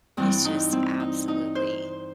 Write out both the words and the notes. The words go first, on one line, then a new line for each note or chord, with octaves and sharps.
It's just absolutely
G2 E3 G3 C4
D#4
C4
D#4
D#4
C5